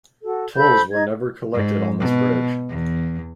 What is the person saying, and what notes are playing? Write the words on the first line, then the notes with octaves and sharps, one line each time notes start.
Tolls were never collected on this bridge.
F#4 A4
A4 C5 B5 G6
D#4 D#5 G#6
G#2
B2
E2